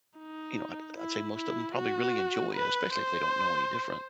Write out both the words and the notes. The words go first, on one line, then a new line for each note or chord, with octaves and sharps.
you know, I'd I'd say most of 'em probably really enjoy it, especially if they don't know any different
D#4
E4
E4
F#4
B4
C5